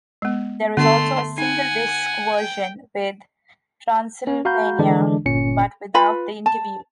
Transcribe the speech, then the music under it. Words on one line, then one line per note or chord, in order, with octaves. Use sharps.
There is also a single-disc version with "Transylvania", but without the interview.
G#3 B3
D3 A3 B3 C6
D#4 F#5 G#5
G5
C#4
F#4 F5 A#5 B5 G6
D3 E3 G#3 D4
G1 A#2 C#4 C#7
F4 B4 B5
A5